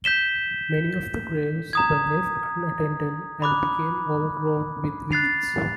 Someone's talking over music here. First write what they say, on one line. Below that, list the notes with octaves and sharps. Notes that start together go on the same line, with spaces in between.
Many of the graves were left unattended and became overgrown with weeds.
G6 B6 E7 G7
A#5 D#6 G#6
B5 D6 F#6
F#6 A6 C7 F7